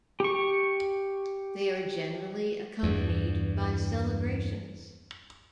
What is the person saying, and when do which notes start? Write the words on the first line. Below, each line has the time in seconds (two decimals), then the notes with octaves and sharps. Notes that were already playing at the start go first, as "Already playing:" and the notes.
They are generally accompanied by celebrations.
0.20 G4 C#6
2.83 E2 G2